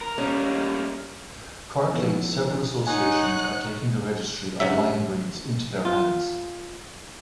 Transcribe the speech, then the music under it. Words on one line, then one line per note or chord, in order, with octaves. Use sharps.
Currently several associations are taking the registry of the line breeds into their hands.
A#4
G3 A3 A#3 C#4
F3 B3 D#4 E4 A4 B4
D#4 C#5 F#5 G#5 F#6
G2 C#3 F#3 E5
F4